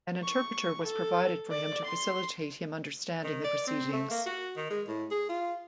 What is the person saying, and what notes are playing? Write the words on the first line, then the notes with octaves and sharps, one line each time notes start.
An interpreter was provided for him to facilitate him understanding the proceedings.
C#6
A4
D5
C6
D#3
D5
C4
A3
A#3
F#4
D#3
G#3
A2
G#4
F4